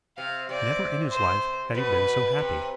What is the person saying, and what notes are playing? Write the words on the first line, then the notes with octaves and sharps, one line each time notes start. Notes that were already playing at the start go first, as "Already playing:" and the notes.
Never in his life had he been so happy.
C3 F5
C3 D5
C5
B2 B4
C3